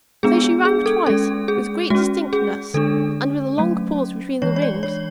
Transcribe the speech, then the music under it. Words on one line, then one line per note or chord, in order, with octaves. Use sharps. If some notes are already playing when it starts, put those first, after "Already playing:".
So she rang twice; with great distinctness, and with a long pause between the rings.
G#3 B3 D4 G#4
G#4
G#4
A4
G#3 C#4 A4
G#4
G#3 C#4 F#4
G#4
D3 G#3 D4 A4
F#3 A3 C#4
E3 G#3 D4 C#5
C#5
D5
C#5